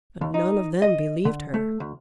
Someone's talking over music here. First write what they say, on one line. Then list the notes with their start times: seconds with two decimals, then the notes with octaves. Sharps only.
But none of them believed her.
0.21 D#2
0.34 D#4
0.82 D#5
1.25 D3
1.54 A3
1.80 D2